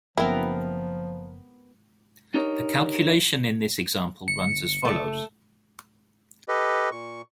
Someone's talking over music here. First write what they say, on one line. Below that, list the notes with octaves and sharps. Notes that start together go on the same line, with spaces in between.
The calculation in this example runs as follows.
F#1 F3 B3 C4 E4 A#4
D4 D#4 G4 A#4 C#5 D#5
G1 C#7
F#1 A3
G4 A4 B4 D#5
A#2 C#6